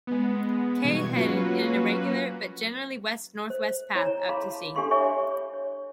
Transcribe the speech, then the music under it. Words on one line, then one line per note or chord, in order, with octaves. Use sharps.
Kay headed in an irregular but generally west-northwest path out to sea.
G#3 B3
G2 B2 E3 C#6 G#6
F#3 A#3 C#4 F4 F#4 B4
C5
E4 C#5 A#5
F5 A5 B5 C6 D6
D4 G4 A4 F5 C6 C#6
C#5 E5 G#5 B5 C#6 D6
C#5